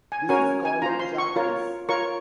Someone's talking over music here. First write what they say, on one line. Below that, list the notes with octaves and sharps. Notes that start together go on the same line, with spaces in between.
This is called in Japanese.
G#5
C#4 F#4 A#4 C#5 G#5
G#5
F4 C5 A#5
C6
C#6
F4 A#4 C#5
F4 A#4 C#5 C#6